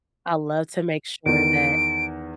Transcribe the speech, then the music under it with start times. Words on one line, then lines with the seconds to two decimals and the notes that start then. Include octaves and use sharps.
I love to make sure that
1.26 E2 D#3 D7